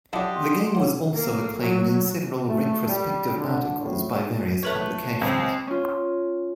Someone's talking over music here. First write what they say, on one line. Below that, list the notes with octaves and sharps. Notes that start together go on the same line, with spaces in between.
The game was also acclaimed in several retrospective articles by various publications.
D3 F3 F#3 D4 E4 G4 D#5
C6
A#3 C#5 F#5
A#3
F#3
A3
G3
D3
A2
A3 B4 C#5
C#2 C4
C#4 F4